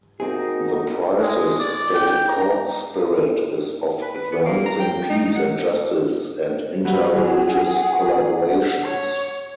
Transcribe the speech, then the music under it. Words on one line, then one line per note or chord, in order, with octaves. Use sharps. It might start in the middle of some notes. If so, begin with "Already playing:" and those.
The Prize's stated core spirit is of advancing peace and justice and inter-religious collaborations.
A#3 C4 D#4 F#4 G#4
G#3
D5
G5
A#5
B4
B4
B3
A#3
A#5
G5
D#4
F#5
F#3 G3 F#5 B5
F#3 G#4
C#5